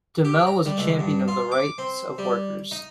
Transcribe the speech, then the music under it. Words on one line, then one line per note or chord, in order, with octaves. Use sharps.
Dehmel was a champion of the rights of workers.
G4
A#5
G3
C#2
G2
F4
D6
C4
G3
D#4